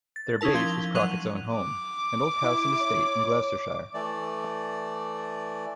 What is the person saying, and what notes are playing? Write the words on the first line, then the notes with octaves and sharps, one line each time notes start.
Their base was Crockett's own home, an old house and estate in Gloucestershire.
A6
C#4 D#4 E4 A#4 A5
F3 G#6 G7
F#3 F#5 F#6 D#7 F7
D6
E4
C#5
E3 A3 D5